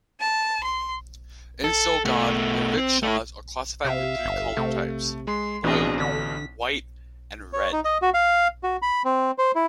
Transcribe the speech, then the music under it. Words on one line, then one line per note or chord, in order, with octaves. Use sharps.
In Sogod, the rickshaws are classified into three color types: blue, white and red.
A5
C6
A4
B2 A3
C4
A3 E4
C3 E5 F5
G1
C3 A3
G#3 C6
A1 B2 E3 C4 D4 G#4
D3 B6
C#5
D#4
D#5
F#4
F5
F#4
B5
C4
C5
E4